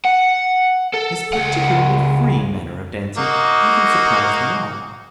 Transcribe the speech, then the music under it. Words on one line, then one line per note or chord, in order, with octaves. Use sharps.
His particularly free manner of dancing even surprised them all.
F#5
A4
C#2 F#5
A#3 D#4 F#4